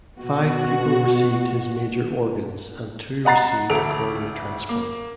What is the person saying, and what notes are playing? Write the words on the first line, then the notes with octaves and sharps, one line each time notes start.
Five people received his major organs, and two received a cornea transplant.
B2 F#4
D#5 F#5 A#5 A6 C7
A1 D2 A4 D7 F7
A#3